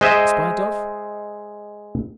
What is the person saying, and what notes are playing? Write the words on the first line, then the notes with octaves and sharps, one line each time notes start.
In spite of?
G#3 C5 D#5 E5